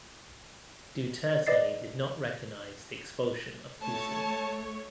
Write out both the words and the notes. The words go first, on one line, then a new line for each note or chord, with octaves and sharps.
Duterte did not recognize the expulsion of Cusi.
B4 D5 D#5 A6 C7
A3 C#5 A5